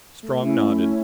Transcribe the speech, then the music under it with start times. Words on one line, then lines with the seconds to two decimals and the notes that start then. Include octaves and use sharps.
Strong nodded.
0.23 A3
0.42 C#4 E4
0.60 A3
0.78 C#4 E4